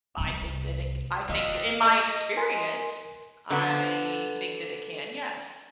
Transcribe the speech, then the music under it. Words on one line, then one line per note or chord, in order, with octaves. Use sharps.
I think that it I think that in my experience, I think that it can. Yes.
C2 C3
F4 D#5 F5
D#5
A#4 G#5 C6
D3 B3